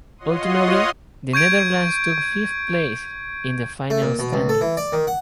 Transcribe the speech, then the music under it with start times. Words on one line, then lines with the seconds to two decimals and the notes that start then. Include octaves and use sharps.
Ultimately, the Netherlands took fifth place in the final standings.
0.17 F4 C#5 D#5 F#5 C6 D#6
1.33 C#6 G6 G#6 D7
3.90 A3
4.02 A#2
4.19 B2
4.33 C#2
4.49 A4
4.61 E3
4.77 D5
4.93 D#3
5.07 F#5